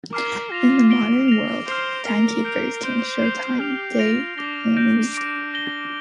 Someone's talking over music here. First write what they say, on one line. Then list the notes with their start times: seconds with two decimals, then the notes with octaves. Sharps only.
In the modern world, timekeepers can show time, date and weekday.
0.13 A#4 D6 F6 C7
0.51 F4 A#6 F7
0.90 A#6 D7 G7
1.28 A#6 F7
1.67 C5 F6 C7 F7
2.05 A#4 F6 C7 F7
2.45 G6 D7 F7
2.83 C5 G6 D7 G7
3.22 G6 C7 F7
3.60 G4 F6 D7 F7
3.99 F4 A#6 D7 F7
4.38 D4 D6 A#6 G7
4.76 D4 G6 A#6 D7
5.14 D6 A#6 D7
5.54 A#6 G7